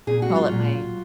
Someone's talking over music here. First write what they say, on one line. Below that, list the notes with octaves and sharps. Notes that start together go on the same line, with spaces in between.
I call it my
A#2 G#4
F#4
F#3
F4
A#2
F#3